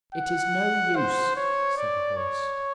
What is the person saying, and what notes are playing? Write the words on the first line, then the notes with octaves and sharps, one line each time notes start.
"It is no use," said a voice.
F#5
C5
C#5
D5
C#5